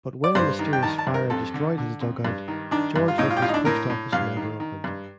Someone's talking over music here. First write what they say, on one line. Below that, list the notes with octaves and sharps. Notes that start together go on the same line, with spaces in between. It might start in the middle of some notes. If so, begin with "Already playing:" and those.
But when a mysterious fire destroyed his dugout, George Nickel's post office never opened.
D5
G2 C5
D#3
G5
D#3 A5
A5
G2
A#4
F2 A4
D3
D3
F2
G2
D#3
D#3 D4
G2
F4
A2 D#4
F4
G4
A2 F4
D#4
D4
A2 A#4
A2
G2 F5
D#3
D#3
G2